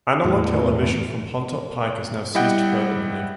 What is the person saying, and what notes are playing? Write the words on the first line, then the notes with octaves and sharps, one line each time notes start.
Analogue television from Pontop Pike has now ceased permanently.
E2 A2
G3 E4 D#5 F#5 G5